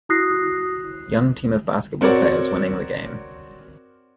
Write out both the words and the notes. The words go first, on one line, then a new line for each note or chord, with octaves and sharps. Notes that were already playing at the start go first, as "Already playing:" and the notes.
Young Team of Basketball players winning the game.
E4 F#4 D#6 F#6 A#6 C7
C4 F#4 A#4 C#5 D5